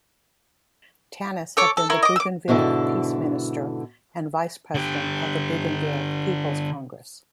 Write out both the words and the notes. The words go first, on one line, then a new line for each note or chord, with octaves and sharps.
Tanis had been the Bougainville Peace Minister and vice-president of the Bougainville People's Congress.
A4 C#5 D6
A4
E4 A#4 C#5
D#5 D6
D6 E6
G#2 B2 D3 E4 A4
D3 G4